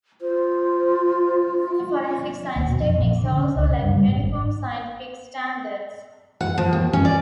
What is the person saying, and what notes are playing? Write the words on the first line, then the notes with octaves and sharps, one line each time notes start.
Many forensic science techniques also lack uniform scientific standards.
F4 C5
D#2
B2
F2
A#1
D3
C#4
C#2
C#3
G2
G3
G#2
G#1
F#5
F3
D#2
C#4
D5